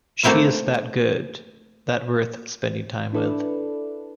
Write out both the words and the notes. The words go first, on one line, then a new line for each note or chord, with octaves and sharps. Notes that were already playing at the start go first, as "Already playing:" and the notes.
She is that good, that worth spending time with.
A3 A#3 C4 E4 F5
D4 E4 A4 B4 D5